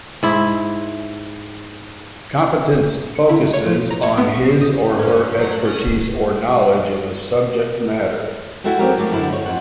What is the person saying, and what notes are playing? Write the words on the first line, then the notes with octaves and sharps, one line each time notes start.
Competence focuses on his or her expertise or knowledge in a subject matter.
G#2 E4
C#7
E4
C#3
C#5
F3
A#5
C#5
B3
C#6
C7
D#6
G2 C#4 C5
F#4 A#4
F#3 A3 F#5
A#4
C#4 D#5 F#5 G#5
E4 F#4 A4 E5 G5
F#3 C4 C#4 G4 A#4
F#3 A3 A#3 G4
F#2 D3 E4
D#4 C#5
F2 F#5